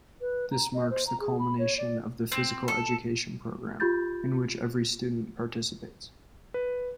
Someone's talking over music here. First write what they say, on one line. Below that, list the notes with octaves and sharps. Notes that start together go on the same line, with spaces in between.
This marks the culmination of the Physical Education Program, in which every student participates.
B4
A#5
D#5
C5
A#5
G#4
B5
C#5
D5
C4
A4
F4 G4 B5 G6 A6
B4